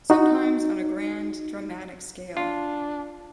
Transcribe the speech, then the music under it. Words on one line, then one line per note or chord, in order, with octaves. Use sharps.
Sometimes on a grand, dramatic scale.
D#4 F#4
D4 F4